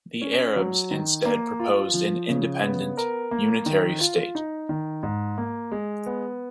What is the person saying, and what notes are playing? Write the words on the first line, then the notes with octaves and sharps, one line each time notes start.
The Arabs instead proposed an independent unitary state.
C#4
F#3
D#3
A#3
F4
F3
C#3
B3
A#4
A#3
D#3
F4
D#4
D#3
G#2
A#3
G#3
B3